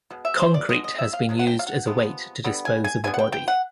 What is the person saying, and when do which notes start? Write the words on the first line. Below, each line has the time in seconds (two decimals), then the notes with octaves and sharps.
Concrete has been used as a weight to dispose of a body.
0.10 B2 G#3
0.25 E5
0.40 C5
0.54 D5
0.69 B2 G#3 B3 D#5
0.84 D#5
0.98 E5
1.13 F5
1.29 C3 F3 G#3
1.39 F#5
1.47 G5
1.59 F5
1.67 F#5
1.86 C3 F3 G#3 B3
2.44 D3 G3 B3
2.65 G#5
2.84 G#5
3.04 D3 G3 B3 G#5
3.14 F#5
3.19 G5
3.33 G5
3.48 F#5